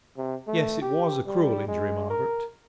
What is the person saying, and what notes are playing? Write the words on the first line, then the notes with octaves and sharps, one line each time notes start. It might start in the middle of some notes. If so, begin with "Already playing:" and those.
Yes, it was a cruel injury, Margaret.
C3
A3
G4
G3
G#3
A#4